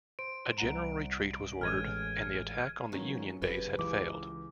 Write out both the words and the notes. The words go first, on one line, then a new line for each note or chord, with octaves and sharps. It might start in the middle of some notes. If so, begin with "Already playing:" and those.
A general retreat was ordered, and the attack on the Union base had failed.
C5 D7
C2 F#5 A#5
A1 G#3 F6 G#6 D#7
D#3 F#3 G#3 B3 C#4 F4
F#1 G4 G#4 B4
C#2 E3 D6